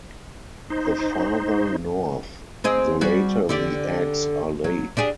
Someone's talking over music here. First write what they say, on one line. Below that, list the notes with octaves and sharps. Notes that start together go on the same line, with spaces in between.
The farther north, the later the eggs are laid.
D#4 C5
C4 G#4 D#5
G3 F#4 G#4
D3 G4 D5
F#3
D4 G4 G#4